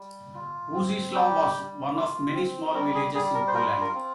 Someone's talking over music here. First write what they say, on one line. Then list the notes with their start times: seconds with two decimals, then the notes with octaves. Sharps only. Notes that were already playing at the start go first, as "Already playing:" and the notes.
Wodzislaw was one of many small villages in Poland.
Already playing: G3
0.34 F4
0.74 C4
1.14 G3 G4
1.55 G3
1.94 F4
2.34 C4
2.74 G3 A#4
2.95 G#4
3.14 G3 G#4
3.34 A#4
3.47 C5
3.54 F4 A#4
3.81 A#4
3.94 C4